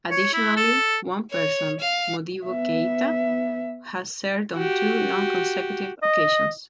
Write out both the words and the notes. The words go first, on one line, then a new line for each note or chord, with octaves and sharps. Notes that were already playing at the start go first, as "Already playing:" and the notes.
Additionally, one person, Modibo Keita, has served on two non-consecutive occasions.
C#5
E4
A4
C#5
F5
B3 E5
F#4 G4
D#5